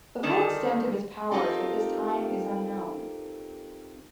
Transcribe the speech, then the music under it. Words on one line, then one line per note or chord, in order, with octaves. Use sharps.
The full extent of his powers at this time is unknown.
D3 D#3 G3 A5
C4 D#4 F4 G4 A4 A#4